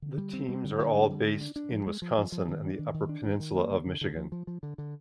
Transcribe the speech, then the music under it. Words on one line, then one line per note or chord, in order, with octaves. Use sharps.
The teams are all based in Wisconsin and the upper peninsula of Michigan.
D3
G3
C4
G3
D3
D3
G3
D3
G#3
D4
D4
F3
G#3
F3
F3
F3
D#3
D4
D#3
D#3
D4
D#3
D#3
A#3
D3
D3
D3
F3
F3
F3
D3
D3